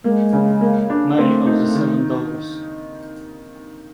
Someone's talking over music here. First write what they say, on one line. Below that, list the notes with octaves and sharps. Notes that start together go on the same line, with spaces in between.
Mary of the Seven Dolors.
G#3 A#3
C#3
A#3
D4
A3 C4
D#4
D#3